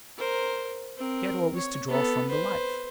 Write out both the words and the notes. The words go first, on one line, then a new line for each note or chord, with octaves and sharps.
He had always to draw from the life.
A#4 C5
C4 A#4
C#5
B3 A4
B4 C5